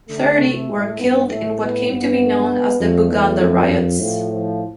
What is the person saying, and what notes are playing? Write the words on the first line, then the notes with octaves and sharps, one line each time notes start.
Thirty were killed in what came to be known as the Buganda riots.
D3 A3
C3
A2
G2 B3
A2 A3
B3
G2 B3
F2 A3
E2
F2
A2 F3
F3